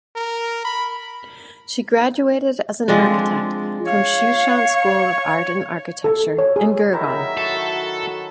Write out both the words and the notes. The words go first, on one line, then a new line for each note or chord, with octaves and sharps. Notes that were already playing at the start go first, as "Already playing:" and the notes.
She graduated as an architect from Sushant School of Art and Architecture in Gurgaon.
A#4
B5
F3 G#3 C4 D4
C#5 F5
A4
C#5
G#4
D#3 F#3 E4 A#4 E5
F#4 A4